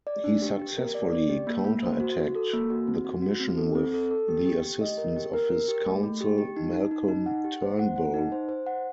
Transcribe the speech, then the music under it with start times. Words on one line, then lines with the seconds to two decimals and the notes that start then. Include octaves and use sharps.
He successfully counter-attacked the Commission with the assistance of his counsel Malcolm Turnbull.
0.07 D5
0.24 D4
0.42 G4
0.60 G4
0.77 A#4
0.95 D5
1.13 D5
1.29 G4
1.47 A#3
1.65 A#3
1.83 C5
2.00 F#4
2.17 F#4
2.35 A4
2.53 A#3
2.70 F#4
2.87 C4
3.05 F#4
3.22 F#4
3.40 C4
3.58 A4
3.75 C4
3.93 A4
4.11 A4
4.28 G4
4.46 G4
4.64 G4
4.81 D#5
4.98 A#4
5.16 G4
5.33 A#4
5.51 A#4
5.68 G4
5.86 A3
6.03 A3
6.20 G4
6.38 G4
6.56 D#4
6.73 D#4
6.91 D#4
7.08 D#4
7.26 F#5
7.44 G4
7.62 C5
7.79 F#5
7.96 F#5
8.14 D#4
8.32 C5
8.49 C5
8.66 F#5